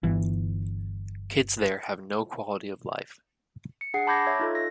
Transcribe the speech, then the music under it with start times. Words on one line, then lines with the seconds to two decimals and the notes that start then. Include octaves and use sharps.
Kids there have no quality of life.
0.03 G1 E3
3.81 C#7
3.94 D4 G#4 F#5 C7
4.07 A5 B5 D6 G6 G#6 A#6
4.27 C#5 E5 G#6
4.40 D#4 F4 A4
4.55 A#6